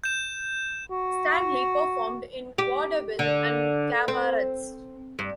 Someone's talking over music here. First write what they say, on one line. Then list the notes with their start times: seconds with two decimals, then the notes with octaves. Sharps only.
Stanley performed in vaudeville and cabarets.
0.04 G6 E7
0.90 F#4
2.58 G4
3.19 D3
4.08 C4
5.19 G2